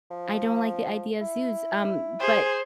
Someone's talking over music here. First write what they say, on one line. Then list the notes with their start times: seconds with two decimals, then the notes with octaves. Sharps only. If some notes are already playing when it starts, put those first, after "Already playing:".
I don't like the idea zoos, um, but
0.11 F3
1.21 E4
2.20 G#4 C5